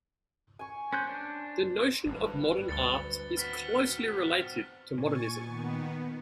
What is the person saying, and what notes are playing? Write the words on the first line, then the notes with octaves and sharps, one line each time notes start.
The notion of modern art is closely related to modernism.
G#5 C#6
C#4 C5 F#6 G6
D4
G#1 G2 B4
D2 A6 C#7 G7
C4 F#4 F6 B6
A#2 G#5 C#6 A6
D#3 B3